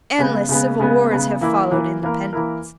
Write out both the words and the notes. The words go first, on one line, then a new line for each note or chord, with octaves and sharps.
Endless civil wars have followed independence.
C#3 G#3 B3
C#3 G#3 B3
C#3 G#3 B3
C#3 G#3 B3
E3 A#3 E4 A#4
E3 A#3 E4 A#4
E3 A#3 E4 A#4
E3 A#3 E4 A#4